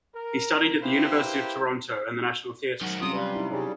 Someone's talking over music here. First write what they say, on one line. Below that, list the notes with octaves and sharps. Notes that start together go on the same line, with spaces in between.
He studied at the University of Toronto, and the National Theatre School.
A#4
A#3 E4 G4 B4 C5
D#3 F#3 F#4
C3 G3 C#4 F4 D#6
G3 B4 F5
D#4 E4
G3 D#4 G#4 C#5